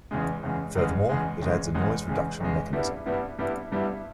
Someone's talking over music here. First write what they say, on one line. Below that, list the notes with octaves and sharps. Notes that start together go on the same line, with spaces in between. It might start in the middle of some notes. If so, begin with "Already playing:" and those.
Furthermore, it adds a noise reduction mechanism.
E2 C#3 G#3
E2 C#3 G#3
E2 C#3 G#3
E2 C#3 G#3
E2 C#3 G#3
E2 C#3 G#3
E2 C#3 G#3
E2 C#3 G#3
G2 G3 B3 E4
G2 G3 B3 E4
G2 G3 B3 E4
G2 G3 B3 E4